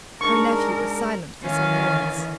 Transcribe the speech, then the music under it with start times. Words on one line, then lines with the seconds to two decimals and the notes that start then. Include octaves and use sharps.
Her nephew was silent for some moments.
0.21 G#3 D4 D#4 A#4 C#6
1.42 D#3 E3 C#4 F5